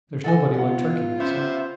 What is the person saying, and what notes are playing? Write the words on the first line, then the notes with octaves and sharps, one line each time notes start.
"There's nobody like Turkey," I said.
A4 D#5 F#5 G#5
B1 G#2 B3 F4 F#5
B3 C#4 C5 E5